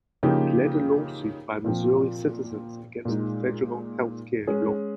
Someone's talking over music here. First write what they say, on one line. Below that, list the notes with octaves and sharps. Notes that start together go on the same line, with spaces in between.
He led a lawsuit by Missouri citizens against the federal healthcare law.
C#3 F3 A#3 D#4 G4
A#2 F3 C4
A#2 G#3 D#4
G#3 C#4 G#4